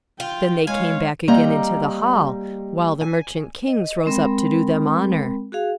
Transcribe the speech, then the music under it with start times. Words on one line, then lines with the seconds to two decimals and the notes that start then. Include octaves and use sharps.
Then they came back again into the hall, while the merchant kings rose up to do them honour.
0.20 F4 G5
0.67 G#3 C#5 F5 G#5
1.28 G3 A#3 C4 D#5 A#5
3.01 G#5
3.67 D#5
4.06 G#3 C4 A#4 G5 B5
5.52 F#4 G#4 F5